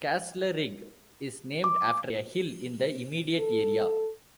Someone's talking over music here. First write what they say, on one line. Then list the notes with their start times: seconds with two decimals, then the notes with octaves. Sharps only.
Castlerigg is named after a hill in the immediate area.
1.64 D6
3.39 A4